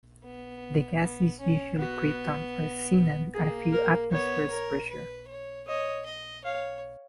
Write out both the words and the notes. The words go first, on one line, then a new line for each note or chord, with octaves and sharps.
The gas is usually krypton or xenon at a few atmospheres pressure.
B3
B3
C#4
B3 F#4
A#3 G#4
A#4
B3 C#5
A#4
B4
C#5
C#5 D#5
D#5
C#5 F5